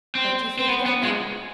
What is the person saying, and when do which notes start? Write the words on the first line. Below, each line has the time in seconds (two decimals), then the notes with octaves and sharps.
"What do you say to gettin' up?"
0.15 C4
0.59 C4
0.68 B3
0.86 B3
1.03 G#3